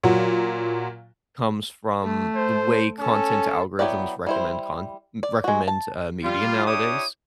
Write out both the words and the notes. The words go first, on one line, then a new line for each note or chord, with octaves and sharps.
comes from the way content algorithms recommend con recommend, uh, media nowadays
A#2 F#3
A3
C5
C#4 A4
F#3 B3 E4 G4 D5
G3 E4 C5
D5
G#3 F#4
A5
G3 F4
D4 E4 G4 C#5 D6 D#6